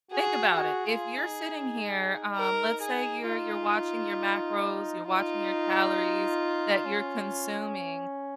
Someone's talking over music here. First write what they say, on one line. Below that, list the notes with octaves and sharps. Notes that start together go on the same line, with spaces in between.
Think about it. If you're sitting here, um, let's say you're you're watching your macros, you're watching your calories that you're consuming.
F#4 G#4
F#4 G#4
F4
D#4
A#4
G#4
D#4 F4
D#4 F4
C#4